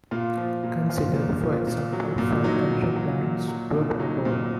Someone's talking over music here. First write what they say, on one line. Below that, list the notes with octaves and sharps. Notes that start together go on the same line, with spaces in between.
Consider, for example, five tangent lines to a parabola.
A#2 F4
F3
A#2
F3 F4
A#2
F3
A#2
F#3
A#2
F#3 D#4
A#2
F#3
A#2
F#3
A#2
F#3 D#4
A#2